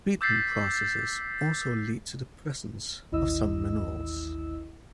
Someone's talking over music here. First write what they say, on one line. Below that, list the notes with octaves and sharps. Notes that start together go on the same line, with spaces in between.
Treatment processes also lead to the presence of some minerals.
D6 E6 G6 A6 B6 C7
A1 D#2 E4 D#5 E6